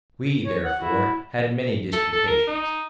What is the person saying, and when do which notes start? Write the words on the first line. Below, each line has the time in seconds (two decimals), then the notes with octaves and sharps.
We therefore had many disputations.
0.46 C#5
0.65 F#5
0.80 E4 F#4
1.93 A4
2.13 A4
2.27 A#4
2.47 D#4